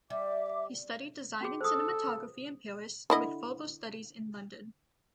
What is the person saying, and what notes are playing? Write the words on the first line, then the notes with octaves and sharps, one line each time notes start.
He studied design and cinematography in Paris, with further studies in London.
G3 E5 D6
C#4 F#4 G#4
A4 C5 D#6
D3 E4 D#5